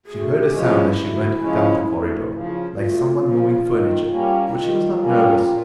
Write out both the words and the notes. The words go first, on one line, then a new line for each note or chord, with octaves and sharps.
She heard a sound as she went down the corridor, like some one moving furniture, but she was not nervous.
D2 G#4
G4
C#3 F3 G#3 C#4
E4
D2
C#3 F3 G#3 C#4
D2
C#3 F3
D2 F4
C#3 F3
D#3
G3 A#3 C#4
E4
D#3 F4
G3 A#3 C#4
A#2